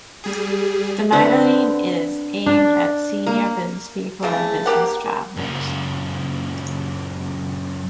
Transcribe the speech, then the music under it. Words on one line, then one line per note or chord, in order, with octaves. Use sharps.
The magazine is aimed at senior businesspeople and business travellers.
G3 G#4
D3 B3 C4
D4
A#3
C#3 E3 A3 G#4
A#3 G4 A#4 F#5
F#2 A#2 C#3